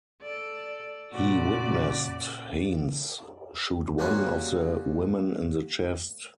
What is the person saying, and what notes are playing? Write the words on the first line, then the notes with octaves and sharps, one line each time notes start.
He witnessed Haynes shoot one of the women in the chest.
A4 D5
A#2 C#3 F#4 D5
G3 A#3 C#4 F4 F#4 G#4